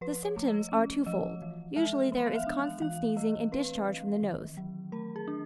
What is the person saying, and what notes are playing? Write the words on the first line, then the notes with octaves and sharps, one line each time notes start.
The symptoms are twofold, usually there is constant sneezing and discharge from the nose.
F3 B4
C#5
A3
D#5
C#4
F3 D#5
E3
G#3 E5
B3
F5
E5
D4
F5
E3 F5
A3 D#5
C4 B4
E3
D#3
F#3
A3 A#4
G#4
D4